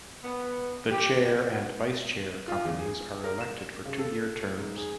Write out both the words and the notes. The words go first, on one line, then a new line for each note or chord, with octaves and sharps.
The Chair and Vice-Chair Companies are elected for two-year terms.
B3
G4
F4
E2
G#4
A#4
E7
C#3
A4
G#2
G#4